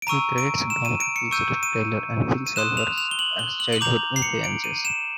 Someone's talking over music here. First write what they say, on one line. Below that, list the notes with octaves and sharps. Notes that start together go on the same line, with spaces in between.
He credits Don Rickles, Rip Taylor, and Phil Silvers as childhood influences.
D7
A#5 C#6 E6 D#7
D7
E7
D#7
D7
C#7
C#6 E6 G6 D#7
D#7
D#7
C6 D#6 F#6 E7
F7
F7
G7
F#7
G7
F#7
F#7
A#5 D6 G6 F7
C7
C#7
D7
D#7
E7